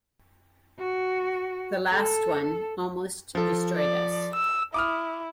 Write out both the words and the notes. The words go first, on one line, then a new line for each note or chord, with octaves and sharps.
The last one almost destroyed us.
F#4
A4
F3 A4
D5
E6
E4 D6 D#6 F6